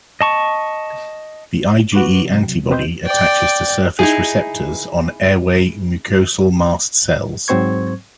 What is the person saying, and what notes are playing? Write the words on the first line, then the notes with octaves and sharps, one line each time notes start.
The IgE antibody attaches to surface receptors on airway mucosal mast cells.
D#5 A5 C#6
F#4 B4 C#6 D6
C3 F#3
B2 C4 B4 C5 D#5 G6
D5 G5
D#4 E4 G#4
G#2 F#3 C4 C5 C#6 G#6